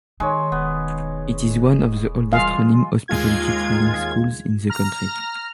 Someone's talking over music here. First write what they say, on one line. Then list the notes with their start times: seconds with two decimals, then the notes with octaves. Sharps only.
It is one of the oldest running hospitality training schools in the country.
0.20 D#3 G#3 C#5
0.52 E1 B3
2.33 E3 G3 G#3 F4 F5
3.08 D#2 G#3 F4 G#6
4.70 A#5 F6